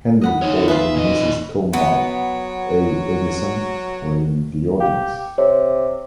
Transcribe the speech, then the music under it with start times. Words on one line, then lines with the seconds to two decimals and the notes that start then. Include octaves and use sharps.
Henry Ford and Mrs. Thomas A. Edison were in the audience.
0.21 D#5 F#5 B5
0.42 D3 D#4 C#5
0.68 F4 G#4 B4 E5
0.95 A#2 D#5
1.73 F#3 B3
4.80 G4 F5
5.38 C3 C#5